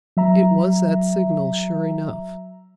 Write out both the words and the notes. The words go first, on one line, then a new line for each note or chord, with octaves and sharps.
It was that signal, sure enough.
F#3 E5 A#5